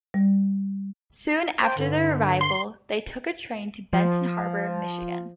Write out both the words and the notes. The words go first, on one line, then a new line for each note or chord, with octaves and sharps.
Soon after their arrival, they took a train to Benton Harbor, Michigan.
G3
C5 G5
G2 D3
C6
F3